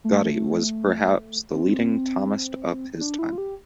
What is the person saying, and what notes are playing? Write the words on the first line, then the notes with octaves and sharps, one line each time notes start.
Gotti was perhaps the leading Thomist of his time.
A3
C4
D4
E4
F4
G4